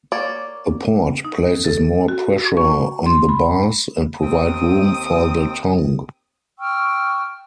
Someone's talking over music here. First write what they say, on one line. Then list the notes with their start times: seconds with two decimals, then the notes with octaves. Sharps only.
A port places more pressure on the bars, and provide room for the tongue.
0.12 A#3 C#5 D5
1.25 D#4
1.65 A4
2.08 F#4
2.57 C#6
3.06 C6
3.29 B5
4.22 D#2 C4 G5 D#6
6.59 G5 C#6 E6 F6